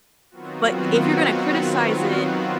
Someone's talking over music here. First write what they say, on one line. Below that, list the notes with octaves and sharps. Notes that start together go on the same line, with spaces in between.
but if you're gonna criticize it,
D#3 F#3 B3 C4 F4 F#4